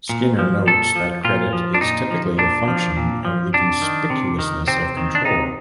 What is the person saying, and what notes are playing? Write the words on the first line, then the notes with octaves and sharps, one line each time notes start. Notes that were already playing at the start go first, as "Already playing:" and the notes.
Skinner notes that credit is typically a function of the conspicuousness of control.
A#2
F3
A#2 A4
F3
A#2 F4
F3
D4
A#2 D#4
F3
A#2 D4
F3
A#2
F3
C3 D4
D#3
C3
D#3
C3 C4
D#3
D4
C3 D#4